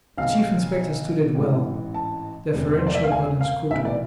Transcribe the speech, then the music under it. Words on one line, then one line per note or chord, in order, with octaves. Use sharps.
The Chief Inspector stood it well, deferential but inscrutable.
B1 B2 F5
A1 G#2 E3
A5
E1 E2 C3
C5
D5
E5
F5
G#5
F5
B1 A2 E3 E5
D5